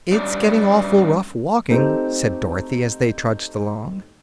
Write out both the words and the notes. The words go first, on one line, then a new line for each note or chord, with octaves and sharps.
"It's getting awful rough walking," said Dorothy, as they trudged along.
G3 C#4 D4 G4 C#5 D5
A3 C4 D#4 G4 A4